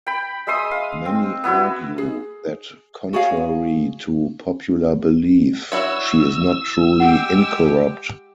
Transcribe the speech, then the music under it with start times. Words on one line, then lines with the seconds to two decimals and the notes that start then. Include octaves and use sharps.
Many argue that contrary to popular belief, she is not truly incorrupt.
0.07 G5 B5
0.47 G#3 E5 C6 D#6
0.71 F5
1.06 C4
1.44 B3 E4 F#4
1.98 G#4
3.13 F#4 G#4 C#5 F5
5.72 E4 F#4 C#5 D5 E6
7.00 G#3 G4 F#5